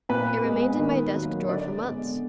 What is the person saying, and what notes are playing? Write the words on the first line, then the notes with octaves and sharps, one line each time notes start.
It remained in my desk-drawer for months.
A#2 B4
G#3 B3
D#3
F#3 A#3
D3 D5
G#3 B3